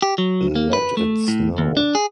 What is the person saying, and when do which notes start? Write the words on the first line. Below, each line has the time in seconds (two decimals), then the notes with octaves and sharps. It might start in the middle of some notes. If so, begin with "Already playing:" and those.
Let it snow.
0.02 G4
0.18 F#3
0.55 A#3
0.73 B4
0.97 A3
1.28 A2
1.58 D#2
1.77 D4
1.95 G#4